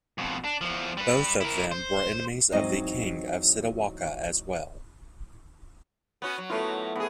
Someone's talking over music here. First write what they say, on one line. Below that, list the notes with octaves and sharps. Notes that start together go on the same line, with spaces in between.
Both of them were enemies of the King of Sitawaka as well.
F2 B2
D4
E2 F3
G3 B4
E4 A#4
C5
E2 G#2 F#3 C4 D#4 D#5
B3 C#4 F#4
F#3
F#2 F#3 A3 B3 E4 F4
A2 B3 G#4